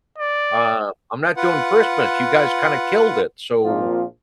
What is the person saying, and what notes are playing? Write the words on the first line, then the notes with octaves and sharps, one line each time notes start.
uh, I'm not doing Christmas, you guys kinda killed it, so
D5
F4 B4 F#5
A#1 A#2 F3 A#3 C4 F4